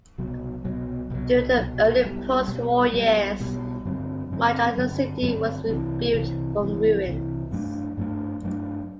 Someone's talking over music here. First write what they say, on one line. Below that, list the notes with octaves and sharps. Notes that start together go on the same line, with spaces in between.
During the early post-war years much of the city was rebuilt from ruins.
C2 B2 F#3
C2 B2 F#3
C2 B2 F#3
C2 B2 F#3
B1 B2 G3
B1 B2 G3
B1 B2 G3
B1 B2 G3
G2 D3 F#3 C4
G2 D3 F#3 C4
G2 D3 F#3 C4
G2 D3 F#3 C4
C2 C3 E3
C2 C3 E3
C2 C3 E3
C2 C3 E3
G2 F#3 A3 D4
G2 F#3 A3 D4
G2 F#3 A3 D4